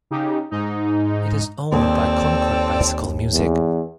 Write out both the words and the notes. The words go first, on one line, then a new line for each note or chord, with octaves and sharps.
It is owned by Concord Bicycle Music.
C#3 D#4 G4
G#2 D#4
D#2 C4 A4 D5
E2